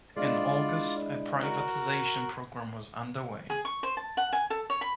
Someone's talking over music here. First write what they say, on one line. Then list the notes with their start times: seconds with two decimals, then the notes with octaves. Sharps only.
In August, a privatization program was underway.
0.16 G#3 D4 E4 F4 D5
1.42 F#4 A#4 F#6
3.50 G#4
3.65 C#6
3.83 C5
3.97 A5
4.17 F#5
4.33 G#5
4.50 A4
4.70 C#5
4.81 B5